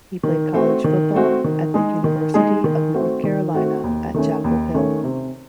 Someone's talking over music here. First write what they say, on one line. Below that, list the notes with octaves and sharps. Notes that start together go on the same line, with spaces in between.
He played college football at the University of North Carolina at Chapel Hill.
D#3
A3 C4 F#4
D#3
A3 C4 F#4
D#3
G#3 D#4 G#4
D#3
G#3 D#4 G#4
D#3
A3 C4 F#4
D#3
A3 C4 F#4
D#2
D#3 A3 C#4
D#2
D#3 A3 C#4
C3